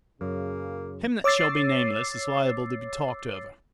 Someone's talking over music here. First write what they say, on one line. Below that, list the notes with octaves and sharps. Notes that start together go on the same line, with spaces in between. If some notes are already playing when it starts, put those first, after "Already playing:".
Him that shall be nameless is liable to be talked over.
F#2 C#3 A#3
C#5 D6 E6 A6 C7